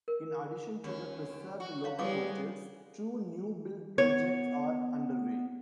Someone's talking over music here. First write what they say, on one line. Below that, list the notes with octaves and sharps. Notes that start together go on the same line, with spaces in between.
In addition to the preserved locomotives, two new-build projects are underway.
A#4
D#2 C#4
F#4
C#5 F5
G3 G#3 B3 C#4 C#5 F5 D6
B3 C#5